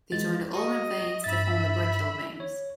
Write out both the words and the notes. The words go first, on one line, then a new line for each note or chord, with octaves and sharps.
They join the ulnar veins to form the brachial veins.
E3 G#3 A6
F#4 D#5 C#6
G2 E5 B5 A6
C#5